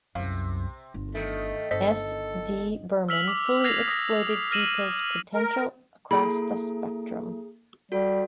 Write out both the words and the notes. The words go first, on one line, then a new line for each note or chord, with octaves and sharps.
S D Burman fully exploited Geeta's potential across the spectrum.
C2 F#2 C3 F5
G1
D#3 A3
G1 A4 C5 D#5 B6
E6 F6 B6 F7 F#7
D6
F#6 G#6 A#6 C7 F7 F#7
D#6 A#6
F6 A#6 D#7 E7 F#7
A#4
A#3 E4 G#4 A4 A#5 B5
G3 F#4 A4